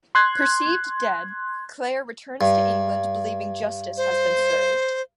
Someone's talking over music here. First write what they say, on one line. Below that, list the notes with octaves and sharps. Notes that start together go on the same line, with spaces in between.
Perceived dead, Claire returns to England believing justice has been served.
C6 F#6 G#6
G2
C5